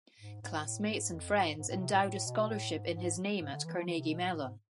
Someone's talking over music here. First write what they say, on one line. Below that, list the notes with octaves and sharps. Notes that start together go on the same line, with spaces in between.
Classmates and friends endowed a scholarship in his name at Carnegie Mellon.
G#2
G#2
A2
G#2
F2
G#2
G#2
A2
C3
A2
A2
B2
A2
G#2
G#2
G#2
D3
E3
F3
E3
C3
B2
A2
A2
G#2